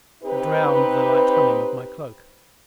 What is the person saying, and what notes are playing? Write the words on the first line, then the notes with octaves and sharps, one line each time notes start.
It drowned the light humming of my cloak.
C4 D#4 G4 B4